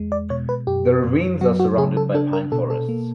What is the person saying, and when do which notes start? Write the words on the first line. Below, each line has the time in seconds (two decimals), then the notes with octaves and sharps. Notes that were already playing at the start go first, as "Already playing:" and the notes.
The ravines are surrounded by pine forests.
Already playing: E2 G#3
0.12 D5
0.30 B2 C#5
0.49 B4
0.67 F#2 G4
1.04 F#2
1.41 F#3 F#4
1.60 F#4
1.78 C#3 G#4
1.97 A4
2.14 D4 A4
2.33 A#4
2.52 B2 A4
2.70 A4
2.89 A#3